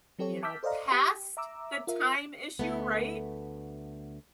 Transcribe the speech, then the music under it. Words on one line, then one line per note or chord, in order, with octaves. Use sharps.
you know, past the time issue, right?
F#3 C4 G4 A4 C#5
A5 D6 E6 F6 G6 B6
A4 C5 D5 D#5 F5 A#5
G4
E5 A#5 D6 E6
F4 A#4 E5
D2 A3 B3